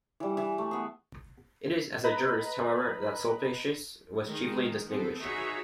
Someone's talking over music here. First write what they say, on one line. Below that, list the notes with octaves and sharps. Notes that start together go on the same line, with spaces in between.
It is as a jurist, however, that Sulpicius was chiefly distinguished.
E3 G3
E3
A3
B3 G#4
B4 D#5 A#5 B5
D#3 G#3
B3 C4 A4
D#4 F#4 G#4 B4 C#5 E5